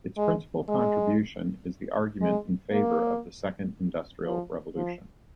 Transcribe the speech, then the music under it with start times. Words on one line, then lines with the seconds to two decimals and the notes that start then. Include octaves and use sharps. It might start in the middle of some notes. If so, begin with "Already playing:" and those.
Its principal contribution is the argument in favor of the Second Industrial Revolution.
0.17 G#3
0.68 G#3
2.21 G#3
2.72 A#3
4.25 F3
4.76 F3